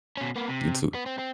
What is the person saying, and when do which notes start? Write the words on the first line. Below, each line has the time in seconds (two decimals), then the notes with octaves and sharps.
You, too.
0.17 B2 C#4
0.36 A#3 B3
0.48 C3
0.95 B3
1.06 C4
1.18 C4